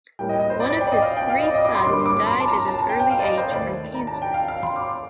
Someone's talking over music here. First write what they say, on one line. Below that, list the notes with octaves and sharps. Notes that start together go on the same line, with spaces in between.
One of his three sons died at an early age from cancer.
A2 G3 A#3 G5
D#5
D#5
C5
D5
D5
G5
D5
D#5
F5
G5
F5
D#5
D5
D#5
D6
C6
G2 D3 G3 A#3 D6
D6
C6
A5
A#5
A5
A5
G5
G5
F5
D5
D#5
C5
D#2 D#3 A3 D5
A#5
A5
G5
F5
F5
C6
D6